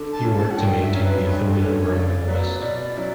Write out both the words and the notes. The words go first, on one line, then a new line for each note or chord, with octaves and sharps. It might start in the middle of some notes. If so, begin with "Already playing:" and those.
He worked to maintain the authority of Rome in the West.
Already playing: D3
A5
A3 C#4
A5
F#5
G2 G5
E5
F#3 C#4
B4
G2
A4
D3 A3 C#4 B4
C#5
C#3 D5
F#3 B3
B2
F#3 C#4 E4